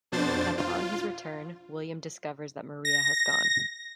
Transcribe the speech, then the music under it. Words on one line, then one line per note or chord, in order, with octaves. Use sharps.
Upon his return William discovers that Maria has gone.
F2 B2 D4 C5 A6
F4
A#6